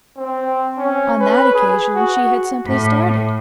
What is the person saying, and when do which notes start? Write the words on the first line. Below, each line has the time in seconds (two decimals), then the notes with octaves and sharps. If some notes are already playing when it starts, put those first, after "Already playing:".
On that occasion she had simply started.
0.17 C4
0.77 C#4
1.20 B4
1.54 G#4
1.95 F#4
2.66 A2